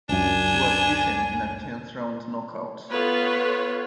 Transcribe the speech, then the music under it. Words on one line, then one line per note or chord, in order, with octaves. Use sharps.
He was beaten in a tenth round knockout.
C#2 F#2 D4 G#5
B3 F4 A4 B4 C#5